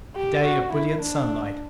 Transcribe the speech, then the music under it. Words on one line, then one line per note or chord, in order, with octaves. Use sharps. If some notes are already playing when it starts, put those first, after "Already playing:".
A day of brilliant sunlight.
G4
F#4
E4
D4